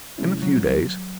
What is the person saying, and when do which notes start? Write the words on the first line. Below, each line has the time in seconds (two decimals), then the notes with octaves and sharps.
In a few days.
0.18 C3 F3 G#3 C#4 E4
0.42 F#3